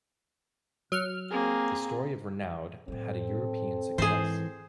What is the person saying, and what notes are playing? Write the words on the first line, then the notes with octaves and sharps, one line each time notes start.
The story of Renaud had a European success.
F#3 F6
A#3 C4 G#4
A2 F#3 C4 A4
G#2 D#3 E3 G#4 C5